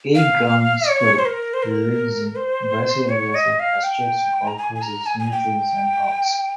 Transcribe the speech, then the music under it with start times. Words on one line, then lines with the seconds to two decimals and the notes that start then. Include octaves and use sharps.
A ground squirrel lives in grassy areas like pastures, golf courses, cemeteries, and parks.
0.15 F5
0.88 C#5
1.19 C5
1.25 A#4
1.54 C5
1.63 A#4
2.36 C5
3.09 C#5
3.35 D#5
3.60 F5
3.83 G5
4.47 A#5
4.58 G#5
4.75 G#5
4.82 A#5
5.06 G#5
5.19 G#5
5.31 G5